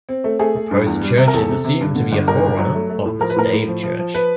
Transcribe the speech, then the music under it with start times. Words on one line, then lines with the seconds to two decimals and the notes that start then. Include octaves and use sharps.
The post church is assumed to be a forerunner of the stave church.
0.09 C4
0.24 A3
0.39 A3 G#4
0.56 A3
0.71 G2
0.86 E2
1.02 G3
1.18 C3
1.28 A#4
1.33 E2 A4
1.49 C3
1.65 C3
1.80 G2
1.95 D3
2.12 G1
2.27 G1 A#4
2.43 G2
2.59 F#3
2.74 A3
2.90 A3
3.06 A2
3.21 F3 A#4
3.30 B4
3.36 A2 A#4
3.53 A2
3.68 F3
3.83 F3
3.99 F3
4.15 B4